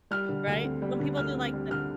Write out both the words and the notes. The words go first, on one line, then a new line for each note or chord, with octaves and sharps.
right? When people do, like, the
G3 F6
D3
D2
C4
G3
D3
D2 F6
C4
G3
D3 F6